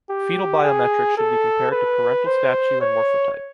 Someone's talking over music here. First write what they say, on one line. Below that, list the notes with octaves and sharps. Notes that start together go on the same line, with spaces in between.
Fetal biometrics should be compared to parental stature and morphotype.
G4
G#4
A4
B4
C5
C#5